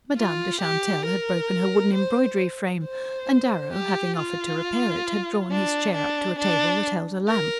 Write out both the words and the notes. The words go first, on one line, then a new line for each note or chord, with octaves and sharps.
Madame de Chantelle had broken her wooden embroidery frame, and Darrow, having offered to repair it, had drawn his chair up to a table that held a lamp.
F4
G4
A#4
C5
C5
G4
F4
D4
D4
D4
A#4